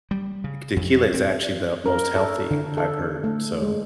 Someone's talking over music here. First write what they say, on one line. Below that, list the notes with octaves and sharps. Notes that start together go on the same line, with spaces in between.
tequila is actually the most healthy, I've heard. So,
G3
C#3
F2
C4
A#4
A4
D3
A4
A3
G#3